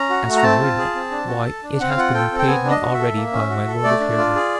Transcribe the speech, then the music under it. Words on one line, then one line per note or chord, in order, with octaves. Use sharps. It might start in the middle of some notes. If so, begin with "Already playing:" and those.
As for your debt, why, it hath been repaid me already by my lord of Hereford.
Already playing: C#4 A#5
F#4
A3
A#5
C4 A5
F4
G#4
C4
D4
F#4
A4
D4
C4 F#5
F5
F4 F#5
A4 G5
C4
G5
B3 G#5
D4
D#5
F#4
E5
A4
A#3
C#4
F#4
A4
A3 D5
D4
F4
G#4